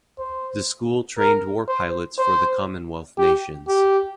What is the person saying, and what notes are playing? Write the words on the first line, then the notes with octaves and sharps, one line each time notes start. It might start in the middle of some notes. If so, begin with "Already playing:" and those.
The school trained war pilots for the Commonwealth nations.
C5
A#4
C5
C5
G4
G4